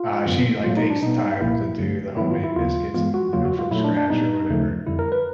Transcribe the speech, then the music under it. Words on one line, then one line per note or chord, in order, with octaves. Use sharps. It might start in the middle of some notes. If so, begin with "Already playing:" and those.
uh, she, like, takes the time to do the homemade biscuits and, you know, from scratch or whatever.
Already playing: F4
F#2 D3 F#3 B3
A2 F#3 A3 F4
D#4
D4
B2 G3 B3 D#4
C2 A#2 F3 A#3 E4
G2 D3 F#3 A3
G#2 D#3 F#3 B3 E4
F4
E4
D#2 C#3 F#3 B3 F4
G2 E3 G#3 B3 F4
F#4
E2 C#3 F#3 A#3 F4
F#4
F4
A#2 F#3 A3 E4
D4
D4
A#2 G3 B3 D#4
D#2 C#3 F3 A3
F2 D3 G3 E4
A#4
B4